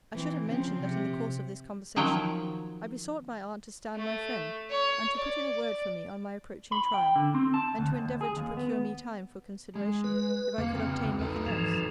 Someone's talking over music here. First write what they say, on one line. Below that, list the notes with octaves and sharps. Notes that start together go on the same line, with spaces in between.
I should have mentioned, that in the course of this conversation I besought my aunt to stand my friend, and to put in a word for me on my approaching trial; and to endeavour to procure me time for consideration, if I could obtain nothing else.
E3 C4
C#3 F3 C4
C3
D#3 F3 F#3 C#5 G5
A3
C#5
D5
B5
G5
D3
C4
A5
D2
D#2
G#4
D#2
B3
G#3
B4
F2 C#3 A#3 F5
D#3 B3 C4
E2 D#4 A4 B4
G#2 E3 F3